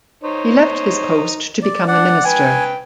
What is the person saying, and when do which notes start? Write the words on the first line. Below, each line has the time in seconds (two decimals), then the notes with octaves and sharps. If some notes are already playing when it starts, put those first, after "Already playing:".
He left this post to become the minister.
0.23 D#4 C5 C#5
1.62 D5
1.88 D4 D5 F#5
2.24 B4 G5 G#5